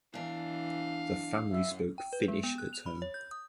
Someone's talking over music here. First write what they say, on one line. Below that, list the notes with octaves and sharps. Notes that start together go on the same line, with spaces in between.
The family spoke Finnish at home.
E2 E3 D4 F5
F#2 E5
G5
B4
G#3
B3
F#6
F7
B5
C#5
G6
D#6